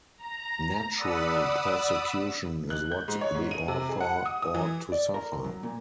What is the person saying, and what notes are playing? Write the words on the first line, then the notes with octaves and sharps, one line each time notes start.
Natural persecution is what the author ought to suffer.
A#5
D5 F#5 B5 D#6 E6
F#6
G6
G#2
C#5
G#2
D#7
C3
G#4
F#5
D#6
D#6
E3
D5
A#4
F#2
A#2